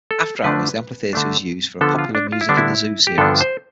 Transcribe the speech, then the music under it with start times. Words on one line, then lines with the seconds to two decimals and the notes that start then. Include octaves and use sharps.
After hours, the amphitheater is used for a popular "Music in the Zoo" series.
0.11 A4
0.44 D3 F3 A3 D4 B4
1.13 D3 A3 D4
1.81 D3 F3 B3 A4
1.99 F4
2.15 D4
2.32 F4
2.41 E4
2.49 D3 G3 B3 D4
2.57 E4
3.07 G4
3.18 G2 D3 F3 B3 D4 A4
3.41 C5